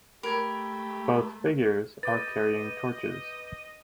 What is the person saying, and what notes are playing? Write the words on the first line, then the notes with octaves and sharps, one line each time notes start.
Both figures are carrying torches.
A3 G4 A#4 B5 G#6
B4 D#5 D6 G6 A6